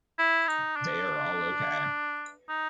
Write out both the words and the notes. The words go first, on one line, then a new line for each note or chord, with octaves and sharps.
They are all OK.
E4
D#4
D4
D#4